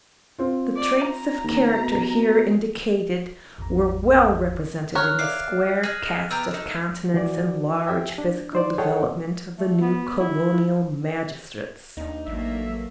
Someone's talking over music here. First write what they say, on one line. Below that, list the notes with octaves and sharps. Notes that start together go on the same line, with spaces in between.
The traits of character here indicated were well represented in the square cast of countenance and large physical development of the new colonial magistrates.
C4 F4
D5
A#5
D#2
B2
G#1 E2 A#5
A#4 C#5 F6 F#6
D5 E5 F5 C7
G#4 D#5 F6
B3 G4 A#5 E6
A3 D#4
E3 F#4 D5
G4 E5 G5 G#5
D4
D#4 C5 D5
G#4 A4 C#5 D#5 F#5 G5
A3
B3
E4
D#2 D4 D#4
A1 F#3 A3 A#3 E5